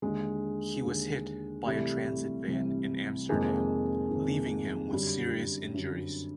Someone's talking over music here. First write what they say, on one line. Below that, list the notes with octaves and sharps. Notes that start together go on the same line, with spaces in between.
He was hit by a transit van in Amsterdam leaving him with serious injuries.
D#2 D3 G#3
D#2 D3
C2 C3 E3 G3 A3
C2 C3 E3
F2 C3 D#3 G#3 A#3
F2 C3 D#3
F#2 D3 G3
F#2 D3